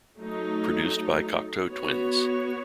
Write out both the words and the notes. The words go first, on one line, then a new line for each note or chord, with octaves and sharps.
Produced by Cocteau Twins.
F#3 A3 D#4
B3 F#4 C#5